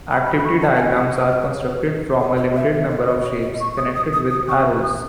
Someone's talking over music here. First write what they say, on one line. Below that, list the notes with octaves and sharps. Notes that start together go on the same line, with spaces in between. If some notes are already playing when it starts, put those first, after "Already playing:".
Activity diagrams are constructed from a limited number of shapes, connected with arrows.
B5
B5
B5
C#6
A5
A5
G#5
F#5
E5
D#5
B4
C#5
B4
C#5
D#5
E5
E5
D#5
C#5
C#5
D#5
C#6
D#6
D#6
D#6
D#6
C#6
D#6